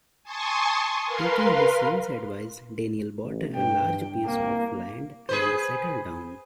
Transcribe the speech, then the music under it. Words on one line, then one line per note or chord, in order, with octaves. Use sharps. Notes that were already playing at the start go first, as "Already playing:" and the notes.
Taking his son's advice, Daniel bought a large piece of land and settled down.
G#5 A5 C6 C#6 D#6
A#4 B4 F5 C6
A1
G2 G5
C2 A#3
G#4 B4 C5